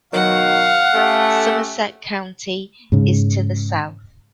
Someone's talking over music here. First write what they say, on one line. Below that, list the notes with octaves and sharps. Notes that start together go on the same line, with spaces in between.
Somerset County is to the south.
B2 D#3 F#3 F5 F#5
A3 C#4 G4 A4
G#2 C#3